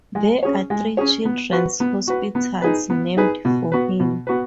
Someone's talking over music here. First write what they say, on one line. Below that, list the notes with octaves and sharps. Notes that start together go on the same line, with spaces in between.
There are three children's hospitals named for him.
G#3
C#4 G#4 C#5
G#3
C#4 G#4 C#5
B3
F#4 B4
B3
F#4 B4
B3
D#4 G#4 B4
B3
D#4 G#4 B4
B2
B3 F#4 B4
B2
B3 F#4 B4